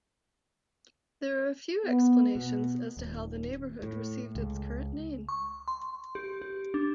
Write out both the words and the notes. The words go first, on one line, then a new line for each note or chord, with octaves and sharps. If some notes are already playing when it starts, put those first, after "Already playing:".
There are a few explanations as to how the neighborhood received its current name.
B3
B2
D#1
A2
C#2
C#6
C6
G4
G4
D4